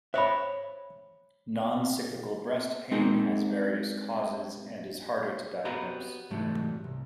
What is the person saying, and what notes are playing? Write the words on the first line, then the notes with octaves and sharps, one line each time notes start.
Noncyclical breast pain has various causes and is harder to diagnose.
C5 C#5 E5 B5
G#3 C4 D#4 G#4 A#4
B3 F#4 G4 F#5 A#5 B5
C2 G#2 E3 F#3 G3 A3
C2